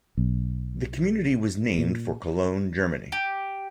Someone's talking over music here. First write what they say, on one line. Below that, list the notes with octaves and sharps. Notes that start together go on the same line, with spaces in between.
The community was named for Cologne, Germany.
B1
A#2
G4